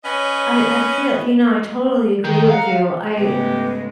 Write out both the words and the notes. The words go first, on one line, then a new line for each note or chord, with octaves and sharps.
I I feel you know, I totally agree with you, I
C#4 B4 C#5 D#5
D#3
F5 F#5 A#5
G#2 C#3 G#3 A3 B3 G4 B4